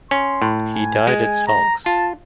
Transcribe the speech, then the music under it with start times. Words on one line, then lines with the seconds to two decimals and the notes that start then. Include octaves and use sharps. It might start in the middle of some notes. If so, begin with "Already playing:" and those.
He died at Saulx.
0.11 C#4 C6
0.42 A2
0.74 G#5
1.07 G#3
1.48 A#5
1.86 F4 A5